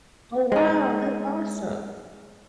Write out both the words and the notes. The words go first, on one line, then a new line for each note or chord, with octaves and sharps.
Oh wow, that's awesome.
G#3 D#4